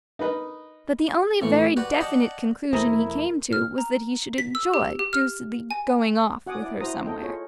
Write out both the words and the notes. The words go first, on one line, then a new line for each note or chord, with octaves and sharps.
But the only very definite conclusion he came to was that he should enjoy deucedly "going off" with her somewhere.
D#4 A#4 B4 D#5
A2 E3 C#6
F#4 G4 B4 D5
D5 D#5 F#5 G5 A5
E2 B2 A3 E4 G#4 A#4 C5
F6
A#5
B6
E6
G4
G4
F6
G#5
F#4 F#5 G#5 D6 D#6
E4 D5
E4 F#4 C5 A#5 D#6
A4 D#5 G5
F4 G#4 C#5